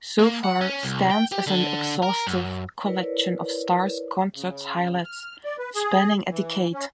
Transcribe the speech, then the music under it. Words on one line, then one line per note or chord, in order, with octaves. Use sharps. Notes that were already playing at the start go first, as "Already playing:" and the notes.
So Far stands as an exhaustive collection of Starr's concert highlights spanning a decade.
A#3
F#5
C#4
C2
G5
G4
D3
A#4
F#2
E4 A#4 B4 C#5 D5
C#3
F6
D5
B4
G#4
E3
C#4